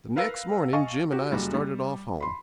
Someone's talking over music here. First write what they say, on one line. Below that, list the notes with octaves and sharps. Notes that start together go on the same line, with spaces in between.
The next morning Jim and I started off home.
A#4 B4 F5 E6 A#6
D#5 F5 G#5 A5 C#6
F#4 G4
F#1 G3 F#4
G3
B5 C6